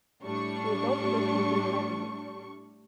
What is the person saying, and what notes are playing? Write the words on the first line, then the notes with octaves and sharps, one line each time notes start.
The adults of the species hibernate.
A2 G3 D4 C#6